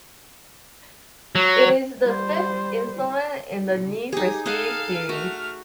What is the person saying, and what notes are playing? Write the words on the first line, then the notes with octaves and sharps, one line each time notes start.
It is the fifth installment in the "Need for Speed" series.
F#3
G3 C5
D#4 G4 G#4 D#6
G#4 A4 D#5 F5 F#5 F6
A3 F#4 F7